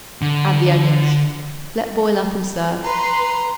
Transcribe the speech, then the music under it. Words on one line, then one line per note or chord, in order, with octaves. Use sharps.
Add the onions; let boil up and serve.
D3
B4 A#5 C6